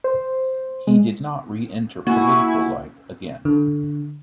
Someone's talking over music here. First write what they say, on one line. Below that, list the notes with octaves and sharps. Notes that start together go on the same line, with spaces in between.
He did not re-enter political life again.
C5
G#3
A#3 E4 F#4 G#5 C#6
D3